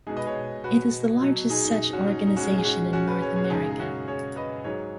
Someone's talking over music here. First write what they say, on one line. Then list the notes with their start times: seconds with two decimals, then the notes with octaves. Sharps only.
It is the largest such organization in North America.
0.07 B2 G#3 D#4 G#4
0.17 B4 D#5
0.26 G#4 C#5
0.64 F#4 B4
1.22 B2 F#3
1.50 D#4 G#4
1.64 D#4
1.93 C#4 F#4
2.07 D#4
2.27 D#4
2.36 G#2 G#3 C#4 F#4
2.58 G#4
2.64 C#4 F#4
2.93 C#4 F#4
3.07 F#4 B4
3.22 G#4 C#5
3.36 G#4 C#5
3.44 F#4
3.50 F#2 C#3 G#3 D#4 G#4
3.71 G#4
3.80 C#4 F#4
4.08 G#4 C#5
4.36 B4 D#5
4.64 G#2 F#3 G#4 C#5